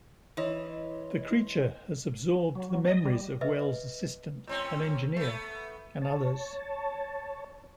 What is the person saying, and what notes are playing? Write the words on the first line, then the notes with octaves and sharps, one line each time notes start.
The creature has absorbed the memories of Wells' assistant, an engineer, and others.
E3 C#5 D#5 C6
F#3
D#5
G3
B4 D#5 E5
A2 C4 C#4
A3 B3
C#5 A5